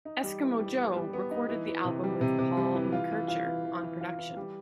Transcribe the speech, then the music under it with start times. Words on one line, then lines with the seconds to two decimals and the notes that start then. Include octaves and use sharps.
Eskimo Joe recorded the album with Paul McKercher on production.
0.05 D#4
0.24 G3
0.42 E3
0.59 G3
0.78 B3
0.96 G3
1.13 B3
1.31 D#4
1.49 E3
1.67 E3
1.85 C3
2.04 G3
2.21 C3
2.39 C3
2.57 G3
2.75 E3
2.92 F4
3.11 E3
3.28 F4
3.46 E3
3.65 E3
3.83 E3
4.01 F4
4.18 E3
4.37 G3